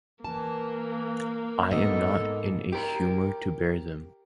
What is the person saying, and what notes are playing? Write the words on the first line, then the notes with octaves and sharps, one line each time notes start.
I am not in a humour to bear them.
E3 A#3 A5
G#2 B3 A4 D#5
G4 A#4